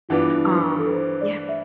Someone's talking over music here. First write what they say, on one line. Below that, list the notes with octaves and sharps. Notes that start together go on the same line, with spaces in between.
Um, yeah
G2 E3 B3 D4 F4
E4
B4
A4
B4
C5
D5
E5